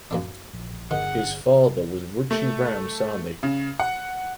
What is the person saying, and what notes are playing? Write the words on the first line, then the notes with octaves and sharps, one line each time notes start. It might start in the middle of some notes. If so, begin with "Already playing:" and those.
His father was Ruchi Ram Sahni.
F#2 A#3 D4
A#1
G1 D#3 G#4 F#5
A3
C#3
F#5